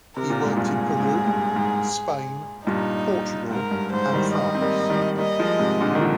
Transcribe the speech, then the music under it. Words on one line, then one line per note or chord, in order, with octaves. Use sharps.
He worked in Peru, Spain, Portugal and France.
C3 A#4
A#2
G#2
G2 A#2 G#4
G#2
G2
G#2
G2 A#2 D#4
G#2 A#4
G2
G#2 C5
D#3 G3
D#5
C4
G3 A#3
D#3 G3
G3 A#3 D#5
F3 G#3
G#2 C3
A#2 D3
D#3
D3 F3